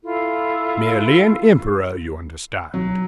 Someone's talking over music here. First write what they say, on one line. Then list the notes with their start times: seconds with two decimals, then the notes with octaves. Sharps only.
"Merely an Emperor, you understand."
0.03 E4 F4 A4
2.74 F#3